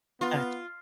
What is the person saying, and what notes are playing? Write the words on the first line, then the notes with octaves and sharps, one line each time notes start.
Got you.
B3 F4